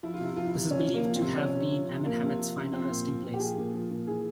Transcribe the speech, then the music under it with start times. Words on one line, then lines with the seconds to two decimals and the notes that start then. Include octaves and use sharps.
This is believed to have been Amenemhet's final resting place.
0.03 F3 E4
0.14 F4
0.20 C3 E4
0.36 F3 F4
0.46 E4
0.54 C3
0.71 F3 C#4
0.87 C3
0.94 A#3
1.05 F3
1.16 C4
1.22 C3
1.38 F3 C#4
1.55 C3
1.72 F3
1.89 C3
2.05 F3 A#3
2.23 C3
2.39 F3
2.56 C3
2.73 F3 C4
2.89 A#2
3.07 F3
3.23 A#2
3.34 G4
3.39 F3 G#4
3.57 A#2
3.74 F3
3.91 A#2
4.07 E3 G#4